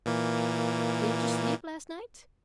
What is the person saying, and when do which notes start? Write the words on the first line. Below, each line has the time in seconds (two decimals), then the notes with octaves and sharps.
"Didn't you sleep last night?"
0.06 A#2 E3 A#3